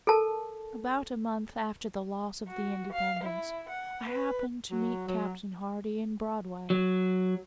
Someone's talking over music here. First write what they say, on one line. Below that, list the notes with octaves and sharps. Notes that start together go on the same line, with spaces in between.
About a month after the loss of the "Independence," I happened to meet Captain Hardy in Broadway.
A4 A#4 A5
F#4
F5
E4
F#5
B4
F#3
F#3
F#3